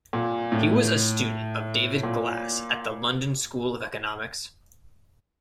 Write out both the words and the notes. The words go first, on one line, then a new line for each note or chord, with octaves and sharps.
He was a student of David Glass at the London School of Economics.
A#2
A2
A#2